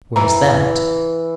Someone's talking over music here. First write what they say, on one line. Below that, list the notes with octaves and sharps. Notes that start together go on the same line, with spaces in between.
"Where's that?"
E3 A#5